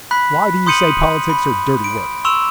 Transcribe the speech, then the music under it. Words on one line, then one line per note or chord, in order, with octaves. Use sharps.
"Why do you say politics are dirty work?"
B5 F#6 B6
C6 D#6 G6 C#7 D#7 F#7
B5
D7
C6 C#6 E6 E7 F7